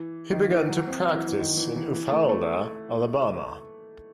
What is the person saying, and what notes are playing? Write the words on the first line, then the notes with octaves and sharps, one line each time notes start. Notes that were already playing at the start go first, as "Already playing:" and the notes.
He began to practise in Eufaula, Alabama.
Already playing: E3
D#3
E3
F#3
C4
F#3
E3
E3
D#3
E3
E3
E3
A3
A3